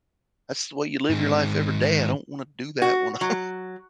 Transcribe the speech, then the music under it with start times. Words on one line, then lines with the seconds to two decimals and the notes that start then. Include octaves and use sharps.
That's the way you live your life every day. I don't wanna do that when I'm
1.10 G#2 D#3
2.82 F#4
3.21 F#3